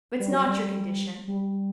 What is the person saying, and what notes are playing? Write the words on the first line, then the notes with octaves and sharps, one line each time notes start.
It's not your condition.
G3
F#3
G3
G3